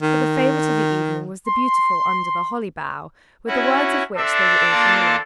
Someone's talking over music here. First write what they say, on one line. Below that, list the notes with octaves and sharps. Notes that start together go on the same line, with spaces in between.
But the favourite of the evening was the beautiful "Under the Holly Bough," with the words of which they were all familiar.
D#3
C6
C#4 E4 F#4
C4 D4 A4 E5
A#3 F4 A5